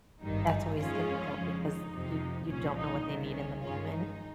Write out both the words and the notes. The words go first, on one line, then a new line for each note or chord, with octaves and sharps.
that's always difficult because you you don't know what they need in the moment.
G#1 G2 D#3 G3 D#4
F2 D#3 G#3 C#4 F4
F2 C#3 F3 G#3
D#4
F2 C3 F3
C2 A#2 F3 C#4
D#4
C2 C3 D#3
C#4
G2 D#3 G#3 C#4 F4
D#4